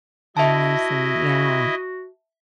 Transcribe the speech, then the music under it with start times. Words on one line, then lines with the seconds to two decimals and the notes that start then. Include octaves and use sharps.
I see. Yeah.
0.37 E4 F#4 D#5 E5 A5